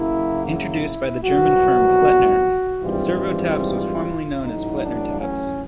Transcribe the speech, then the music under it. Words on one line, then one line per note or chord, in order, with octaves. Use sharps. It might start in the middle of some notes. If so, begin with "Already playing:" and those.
Introduced by the German firm Flettner, servo tabs were formerly known as Flettner tabs.
Already playing: F#2 C#3 F#3 A#3 E4
E4
C2 B2 F#3 B3 F#4
A#1 G#2 E3 G3 C4 F4
A1 A2 F#3 D#4
D4
C#4